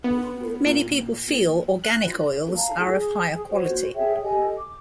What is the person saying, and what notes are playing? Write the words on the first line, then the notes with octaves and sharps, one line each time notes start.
Many people feel organic oils are of higher quality.
B3
A#2
F#6
F5 A5 A#5
G#4
F#4 C5 C#5
G#4 C#5 E5 G5
G4 A4 D#5 G#5
D6